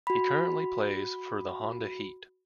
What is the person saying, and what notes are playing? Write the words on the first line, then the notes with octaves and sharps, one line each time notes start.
He currently plays for the Honda Heat.
F#4 B5